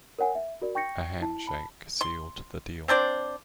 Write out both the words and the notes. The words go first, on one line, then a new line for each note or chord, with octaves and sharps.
A handshake sealed the deal.
A#4 C#5 F#5 G#5
E5
F#4 A#4 D5
G5 C#6 G6 A#6 C#7
E4 A5
A5 B5
C6
C4 D4 C5 D5